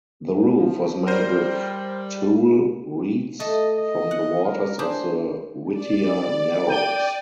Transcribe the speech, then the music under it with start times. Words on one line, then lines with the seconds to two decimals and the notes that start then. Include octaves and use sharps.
The roof was made with tule reeds from the waters of the Whittier Narrows.
0.56 F3
1.07 G3 A#4 C5
3.40 A3 D#5
3.78 D#5
4.11 F#5
4.45 A#4
4.79 D4 G4 G#4 C5
5.72 D5
6.67 G5 D#7